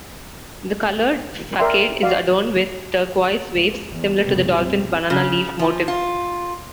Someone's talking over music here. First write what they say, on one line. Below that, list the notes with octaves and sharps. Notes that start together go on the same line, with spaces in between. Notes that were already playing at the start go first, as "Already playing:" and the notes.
The colored facade is adorned with turquoise waves similar to the Dolphin's banana-leaf motif.
A#4 D5 E5 G5 C6
F#4 D5 F5
C#2
E2
F#1 C#2 C3 G3 B3
B1 F#2 A#2 C4
C#3
F3
F4